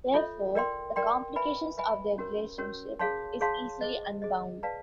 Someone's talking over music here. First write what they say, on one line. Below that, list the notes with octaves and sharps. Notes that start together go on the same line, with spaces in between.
Therefore, the complications of their relationship is easily unbound.
F4 A4 C#5 E5
A#4 D5 G5 C6
A#4 D5 G5 C6
B4 E5 G#5 B5
B4 E5 G#5 B5
C#4 F#4 A#4 C#5
C#4 F#4 A#4 C#5
G#4 C#5 F5 A5 C6
G#4 C#5 F5 A5 C6
G#4 C5 D#5
G#4 C5 D#5
B4 D5 F5 A5